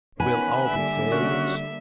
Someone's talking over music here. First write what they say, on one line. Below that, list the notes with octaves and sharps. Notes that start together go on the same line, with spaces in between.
"We'll all be failures?"
D#3 B3 C#4 B4 F#5 G#5
D3 G3 A#3 E5
C#4 F#4